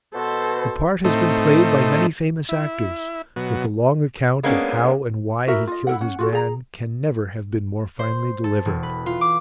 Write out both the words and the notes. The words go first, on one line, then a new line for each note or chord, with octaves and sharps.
The part has been played by many famous actors, but the long account of how and why he killed his man can never have been more finely delivered.
B2 A4 C5
A2 A3 C4 D#4
E4
B2 F#3
G#3 A#3 B3 C#4 D4
E4 F#4 A#4 E5
F4 D#5
E4 A#4 F#5
C#4 F#5
F4 F#4 A4
G#4 A#5
C5
A4
E1
B4
F4
D6